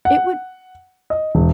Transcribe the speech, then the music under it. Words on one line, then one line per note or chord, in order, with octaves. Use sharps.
it would
F#5
D#5
E1